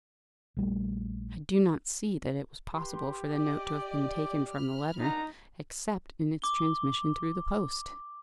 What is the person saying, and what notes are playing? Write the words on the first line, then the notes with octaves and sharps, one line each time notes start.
"I do not see that it was possible for the note to have been taken from the letter, except in its transmission through the post."
A#1 G3 A3
G4 B4 C6
D5 D#5 D6
B5 F6
D4 D#4 F#4 A#4 A#5
D6 G7